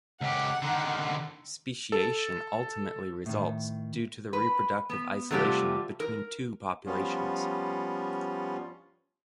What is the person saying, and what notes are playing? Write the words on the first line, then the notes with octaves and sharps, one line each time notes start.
Speciation ultimately results due to the reproductive isolation between two populations.
C#2 G4 F#5
D3 D#3
A4
A2 D#3
B4
B3
C3 F#3 G3 A3 F4 G4
A#4
F3 G3 B3 C#4 F4